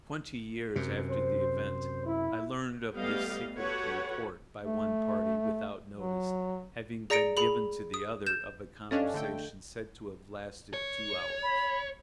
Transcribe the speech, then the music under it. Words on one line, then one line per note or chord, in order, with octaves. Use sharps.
Twenty years after the event, I learned of this secret report, by one party, without notice having been given to the other, of a conversation said to have lasted two hours.
F#2 C3
C5
E4
G3 A3 B3 G4 D#5 F5
F#4 G4 A4 B4 C#5 F#5
A3
F#3
G#4 D5 A#5 A#6 C#7 D7
G#4 B5 F#7
D#6
G6 E7
G2 C#4 D4 A4 D#5 F5
D3 A3 G5
C#5
B5